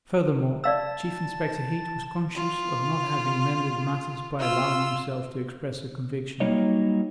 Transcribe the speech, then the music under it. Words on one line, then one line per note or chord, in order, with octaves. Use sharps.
Furthermore, Chief Inspector Heat was conscious of not having mended matters by allowing himself to express a conviction.
D5 F5 A5 E6 A6
F4
F4 E6
F#3 G3 A#3 D#4 C#5 D#5